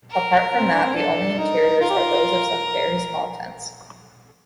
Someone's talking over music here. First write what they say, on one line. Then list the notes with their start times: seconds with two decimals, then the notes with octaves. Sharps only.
Apart from that, the only interiors are those of some very small tents.
0.11 A#4
0.52 C4
0.74 D4
0.84 C4
0.94 D4 A4
1.38 D#4 A#4
1.81 F4 A#4
1.90 G4
1.98 F4